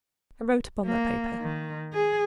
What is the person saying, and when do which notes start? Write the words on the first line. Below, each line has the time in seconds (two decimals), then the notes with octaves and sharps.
"And wrote upon that paper."
0.85 A#3
1.41 D#3
1.93 G#4